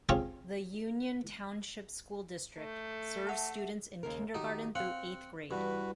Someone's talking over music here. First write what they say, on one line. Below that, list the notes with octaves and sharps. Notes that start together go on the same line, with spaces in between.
The Union Township School District serves students in kindergarten through eighth grade.
C4 C#4 F4 G4 G#4
A3
E5 F#5 A5
D#2 C#3 A#4
D#3 D#4 F#4 G4
C4 F5 F#5
G2 E3 F#4 B4